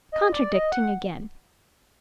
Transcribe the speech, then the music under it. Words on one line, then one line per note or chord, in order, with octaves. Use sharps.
Contradicting again!
D#5
D5
D#5
F#5